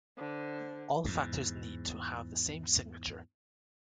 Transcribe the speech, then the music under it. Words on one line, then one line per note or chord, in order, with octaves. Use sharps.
All factors need to have the same signature.
D3 C5
E2 G#2